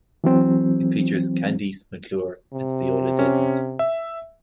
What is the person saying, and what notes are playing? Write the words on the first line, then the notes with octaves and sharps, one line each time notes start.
It features Kandyse McClure as Viola Desmond.
E3 F#3 C4
C3
C#4
E5